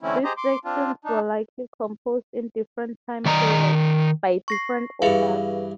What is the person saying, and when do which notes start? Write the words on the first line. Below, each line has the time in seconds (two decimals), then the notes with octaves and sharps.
These sections were likely composed in different time periods, by different authors.
0.01 D3 E3 A3 C4 C#4 E4
0.24 G4 G#4 C5 D#5 A#5
0.37 C6 D6
0.65 C4 D4 F4
1.05 D4 D#4
3.26 D#3 D5 D#5 A#5
4.48 C#6 A#6 C7
5.02 G2 E3 G#4 B4 F5